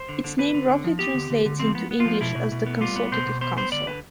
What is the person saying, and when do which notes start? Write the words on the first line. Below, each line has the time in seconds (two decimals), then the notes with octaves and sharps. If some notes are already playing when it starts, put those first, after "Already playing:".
Its name roughly translates into English as "the Consultative Council".
Already playing: C5
0.09 D3
0.24 D3
0.38 D3 B4
0.54 D3
0.69 D3
0.84 F3
0.99 B3 G4
1.15 D3
1.30 D3
1.46 D3
1.60 F3 C4
1.75 B3
1.91 B3
2.00 F4
2.06 F3
2.21 B2 E4
2.36 B2
2.52 B2
2.66 B3
2.81 G3 F4
2.96 B3
3.12 B2 C5
3.27 B2
3.41 B3 C5
3.57 B3 C5
3.72 D3 D5
3.87 D3 B4